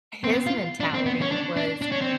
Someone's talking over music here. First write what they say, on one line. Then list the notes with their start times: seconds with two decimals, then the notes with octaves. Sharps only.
his mentality was,
0.24 C4
0.31 B3
0.47 F4
0.80 D4
0.94 C4
1.06 B3
1.21 C#4
1.32 D4
1.57 D4
1.82 D4
1.92 C#4
2.02 C4